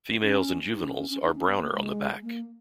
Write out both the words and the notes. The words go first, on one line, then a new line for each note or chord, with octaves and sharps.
Females and juveniles are browner on the back.
C#4
D#4
C#4
C#4
C#4
D#4
C#4
B3
A#3
G#3
A#3